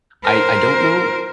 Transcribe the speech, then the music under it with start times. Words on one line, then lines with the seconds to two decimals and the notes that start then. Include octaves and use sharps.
I I don't know,
0.24 A#4 C5